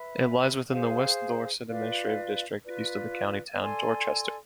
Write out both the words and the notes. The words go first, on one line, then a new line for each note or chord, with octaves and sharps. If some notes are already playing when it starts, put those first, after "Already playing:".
It lies within the West Dorset administrative district, east of the county town Dorchester.
Already playing: B4 E5 B5
G#4 C5 F5
F4 B4 D5 F5
F4 B4 D5
A4 D5 G#5 C6